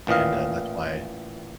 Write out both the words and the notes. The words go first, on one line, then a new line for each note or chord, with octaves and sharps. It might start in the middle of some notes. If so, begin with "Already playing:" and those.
and, uh, that's why
A1 A#2 E3 D#5 F5